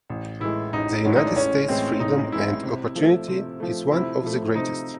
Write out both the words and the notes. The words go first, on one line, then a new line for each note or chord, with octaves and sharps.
The United States freedom and opportunity is one of the greatest.
A1
A2 E3 G#3 E4
A1 D#4
A2 E3 G#3 C#4
D#4
D4
A1 C#4
A2 E3 G#3 C4
A1 D#4
A2 E3 G#3 E4
C3
F3 A3
C3
F3 A3
C3 E4
F3 A3
C3 D#4